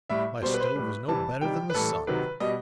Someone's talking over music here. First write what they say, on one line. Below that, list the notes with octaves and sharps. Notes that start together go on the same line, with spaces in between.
My stove is no better than the sun.
A2 G3 E5
B2 G3 C5
B4
C5
B4
A2 G3 B4
C3 E3 G3 A5
C3 D#3 G3 G5
B4
A2 E3 G3 A4
C3 D#3 F#3 B4
B2 G3 D#5